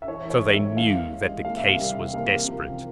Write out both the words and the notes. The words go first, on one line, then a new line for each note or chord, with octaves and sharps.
So they knew that the case was desperate.
E5
E3 C#5
E3
C#5
G#3
E5
G#3
E3 F5
E3
G#3
G#3
A#3 F5
E5
C3
F5
G3
C3
A#3 F5
C3
F3
C3